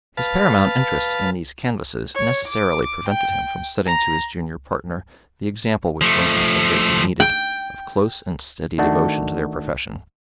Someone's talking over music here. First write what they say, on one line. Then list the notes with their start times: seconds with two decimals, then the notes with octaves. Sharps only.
His paramount interest in these canvasses necessarily prevented him from setting to his junior partner the example which Lincoln so greatly needed, of close and steady devotion to their profession.
0.17 B4 F5 A5
2.14 C#5
2.47 D6
3.09 G5
3.86 A#5
6.01 F3 A3
7.20 G5
8.78 D#3 A3 D4 F#4